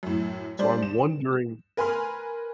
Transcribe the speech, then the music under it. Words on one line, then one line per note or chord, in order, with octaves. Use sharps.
So, I'm wondering
F#2 A2
G3 D4 C5 D5
E7
A#4 B4 G#5 B5 C6 F6